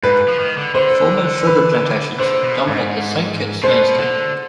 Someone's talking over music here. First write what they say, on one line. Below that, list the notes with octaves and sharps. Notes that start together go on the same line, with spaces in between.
Former sugar plantations dominate the Saint Kitts landscape.
G#2 B4
F3
D#3
D3
D3 C5
B4
D3 C5
B2
G#2
B2 C5
D3